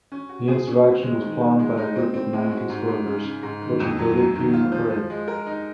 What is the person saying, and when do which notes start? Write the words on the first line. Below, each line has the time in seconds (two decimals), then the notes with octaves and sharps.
The insurrection was planned by a group of nine conspirators which included Hugh MacRae.
0.12 C#4
0.29 F#4
0.48 G#4
0.67 C#4
0.84 C4
1.03 G#3
1.22 D#3
1.41 D#3
1.59 G#3
1.77 D#4
1.96 C4
2.14 C4
2.33 G#3
2.51 F#4
2.69 G#2
2.87 G#2
3.06 C#3
3.24 C#3
3.43 G#2
3.62 D#3
3.80 F2
3.98 F#3
4.17 F#2
4.35 D#3
4.54 F4
4.72 F3
4.90 F3
5.10 G#3
5.28 A#4
5.47 D#4